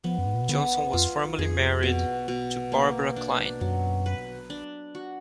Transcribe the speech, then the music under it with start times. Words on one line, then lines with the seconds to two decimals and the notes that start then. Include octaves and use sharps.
Johnson was formerly married to Barbara Kline.
0.04 F3 B3
0.18 F#2
0.26 G#2
0.34 A#2
0.41 B2
0.49 D3 B3
0.93 F2 F4
1.38 F2 G#4
1.83 B2
2.28 B2
2.72 A#3
3.16 D4
3.61 F#2 F#3
4.06 B4
4.50 D4
4.95 F#4